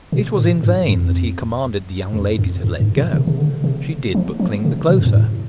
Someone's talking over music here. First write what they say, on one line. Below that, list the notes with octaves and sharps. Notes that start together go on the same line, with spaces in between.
It was in vain that he commanded the young lady to let go: she did but cling the closer.
B2
A2
G2
F2
F2
F2
F2
G2
B2
C3
C3
D3
C3
F3
F3
C3
B2
F2
G2
A2